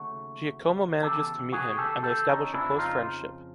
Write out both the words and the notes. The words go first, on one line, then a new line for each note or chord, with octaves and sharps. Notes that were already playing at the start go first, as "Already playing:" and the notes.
Giacomo manages to meet him, and they establish a close friendship.
Already playing: D#2 C#3 F#3 A3 F#4
E2 C#3 E3 G4 A4
F#4 G#4
G4 A4
G4 A4
C#4 D#4
F2 C#3 F3 D4 E4
D#4 F4